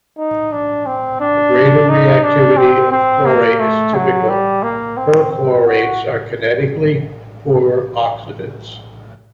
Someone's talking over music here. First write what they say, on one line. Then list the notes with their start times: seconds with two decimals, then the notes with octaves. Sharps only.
The greater reactivity of chlorate is typical - perchlorates are kinetically poorer oxidants.
0.17 D#4
0.52 D4
0.86 C4
1.20 D4
1.89 D#4
2.23 D4
2.57 C4
2.92 C4
3.25 A#3
3.60 A3
3.94 F#3
4.29 G3
4.63 A#3
4.97 C4
5.31 C4
5.66 F#4